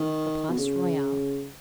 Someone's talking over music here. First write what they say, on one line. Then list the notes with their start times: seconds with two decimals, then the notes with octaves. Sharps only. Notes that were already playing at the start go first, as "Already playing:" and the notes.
The Place Royale.
Already playing: D#3
0.50 B2
0.58 C#3